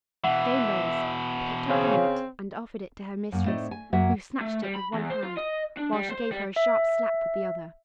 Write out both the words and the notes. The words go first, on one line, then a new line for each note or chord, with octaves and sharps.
Jane rose, picked up the note and offered it to her mistress, who snatched it with one hand, while she gave her a sharp slap with the other.
B2 E3 E5 F#5
C#3 C4
F#2 A#3
A2 A3 C4 D#4 D5 D#5
G#5
F#2 F#3 A#3 F#4 E5
A3
G3
B5
E2
C5
F4
D#5
D4
G3
C5
G3
E5